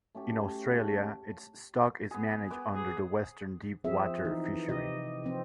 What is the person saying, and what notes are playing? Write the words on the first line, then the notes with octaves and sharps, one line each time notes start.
In Australia its stock is managed under the Western Deep Water Fishery.
A3 C#4 G4 A4
C#5
C#3 A4
B3 G#4
B3 B4 D6
G#4
F3 C4 G#4 E5
E3 D#4
C3 G4 D#5
F3 C4